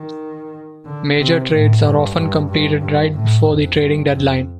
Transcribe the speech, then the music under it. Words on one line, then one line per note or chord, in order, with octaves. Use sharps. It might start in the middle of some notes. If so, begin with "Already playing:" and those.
Major trades are often completed right before the trading deadline.
Already playing: D#3
D3
C3
A2
G2
G2
G2
G2
A2
F2
G2
F2